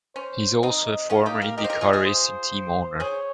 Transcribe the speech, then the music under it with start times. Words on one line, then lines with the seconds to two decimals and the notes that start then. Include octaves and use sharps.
He is also a former IndyCar racing team owner.
0.15 C#4 C5
0.63 C4 D#4 D#5
1.10 C#4 F4 F5
1.26 D#4 G4
1.42 G4 A#4
1.57 G4 A#4 D#5
1.64 C5
1.70 G4 A#4
1.81 F4 G#4
1.93 F4 G#4
2.04 C5
2.99 G#4 C5 C#5